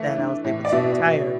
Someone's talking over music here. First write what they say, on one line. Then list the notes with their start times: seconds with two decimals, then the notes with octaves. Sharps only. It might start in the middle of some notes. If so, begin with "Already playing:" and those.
that I was able to retire,
Already playing: E3 A3
0.16 D4
0.44 A2
0.65 D5
0.72 B2 E5
1.00 B2